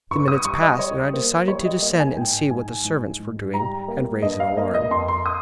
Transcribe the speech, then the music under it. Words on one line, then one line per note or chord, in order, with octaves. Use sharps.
The minutes passed, and I decided to descend and see what the servants were doing, and raise an alarm.
G2 C#6
D#6
G3 C#6
D#5
G3 C#5
A#3 C5
G3 C#5
D#5
A#3 D#5
G#5
G#2 G5
G#2 G#5
G#2
G#2
G3 A#5
A#3
G2 D#5
F5
A#3 D#5
D#5
F2 C6
C6
D#6